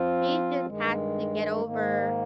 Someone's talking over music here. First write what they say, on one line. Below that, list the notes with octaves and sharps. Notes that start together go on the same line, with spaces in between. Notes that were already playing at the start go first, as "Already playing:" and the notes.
she just has to get over
Already playing: F3 C4 F4
G2 D#3 G#3
G#2 D#3 A#3